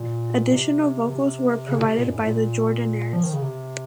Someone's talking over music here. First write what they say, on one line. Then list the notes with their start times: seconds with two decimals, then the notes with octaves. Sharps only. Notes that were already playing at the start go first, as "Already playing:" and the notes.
Additional vocals were provided by The Jordanaires.
Already playing: A#2
0.52 C3
1.10 C3
1.68 C#3
1.78 A#2
1.83 C3
1.97 A#2
2.07 F#2
2.16 A2
2.26 A#2
3.13 F3
3.24 D#3
3.33 C#3
3.42 C3